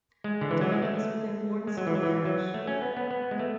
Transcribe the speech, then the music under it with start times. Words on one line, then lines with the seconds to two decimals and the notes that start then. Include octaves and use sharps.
Dyke is within Bourne civil parish.
0.24 G#3
0.41 D3
0.51 E3
0.61 F#3
0.71 G#3
0.82 A3
1.67 G#3
1.77 F#3
1.87 E3
1.95 F#3
2.03 E3
2.25 F#3
2.54 A3
2.67 C#4
2.82 B3
2.97 B3
3.11 B3
3.31 G#3
3.39 A3